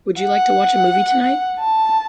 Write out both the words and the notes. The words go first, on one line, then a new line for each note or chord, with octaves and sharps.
Would you like to watch a movie tonight?
F#5
A5